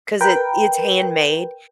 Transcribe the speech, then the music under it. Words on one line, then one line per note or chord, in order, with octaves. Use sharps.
'cause it it's handmade.
A#4 B4 G5